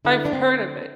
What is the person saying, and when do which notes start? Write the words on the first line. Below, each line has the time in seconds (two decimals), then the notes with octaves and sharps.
I've heard of it.
0.05 D3 E4
0.25 D4
0.32 D3 C4